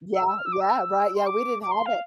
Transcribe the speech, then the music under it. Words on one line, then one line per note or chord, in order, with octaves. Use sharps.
yeah yeah, right, yeah, we didn't have it.
E6
E6
F6
E6
D6
E6
C6
D6
D6
C6
F5